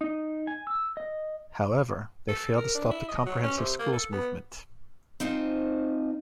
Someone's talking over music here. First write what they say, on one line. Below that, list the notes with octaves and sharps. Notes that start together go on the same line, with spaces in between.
However, they failed to stop the comprehensive schools movement.
D#4
G#5
E6
D#5
A4
A#4
D4
E4
D#5
F#3
C#4
C3
A#3
A4
B3
C4 D#4 F4 C5